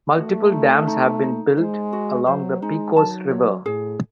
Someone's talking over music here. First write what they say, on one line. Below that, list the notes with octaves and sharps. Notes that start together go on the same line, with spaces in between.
Multiple dams have been built along the Pecos River.
A3 F#4
D#4
D#4
D#4
G#3 C5
F#4
F#3 C5
G#3 D#4
F#3 A5
C#5
A2 G#4